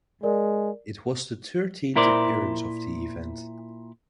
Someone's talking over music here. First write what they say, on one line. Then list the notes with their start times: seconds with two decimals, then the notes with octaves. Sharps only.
It was the thirteenth appearance of the event.
0.23 G#3 A#4 D5
1.96 A#2 E4 A#4 C5 D5